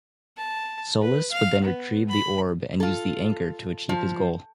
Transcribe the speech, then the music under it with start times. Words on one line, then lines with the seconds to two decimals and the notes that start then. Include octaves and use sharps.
Solas would then retrieve the orb and use the Anchor to achieve his goal.
0.37 A5
1.01 B4
1.32 F5
1.64 B3
2.09 B5
2.80 F4 A4
3.89 F3